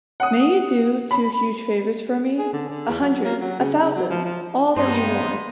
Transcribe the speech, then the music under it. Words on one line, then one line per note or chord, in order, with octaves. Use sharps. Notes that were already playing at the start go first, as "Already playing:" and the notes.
May you do two huge favors for me? A hundred, a thousand, all that you want.
F#5 D#6
B5
G#4
D3
D3
E2
F#3
A#3
F#3
C#3
C#3
F#3
F3
F3
G2 G#3 B3 D#4 C5